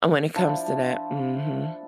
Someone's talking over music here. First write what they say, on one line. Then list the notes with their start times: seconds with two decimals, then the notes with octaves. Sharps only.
and when it comes to that, mhm.
0.36 F3 D4 E4 F4